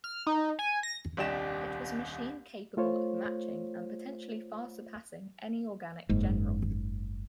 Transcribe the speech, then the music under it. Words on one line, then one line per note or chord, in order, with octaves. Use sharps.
It was a machine capable of matching and potentially far surpassing any organic general.
F6
D#4
G#5
A#6
D#1 C2 D4 G4 D#5 E7
A3 F4 C5 C#5
F#1 G#2